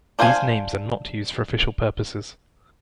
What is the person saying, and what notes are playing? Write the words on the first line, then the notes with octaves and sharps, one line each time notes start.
These names are not used for official purposes.
D4 C5 F5 G5 G#5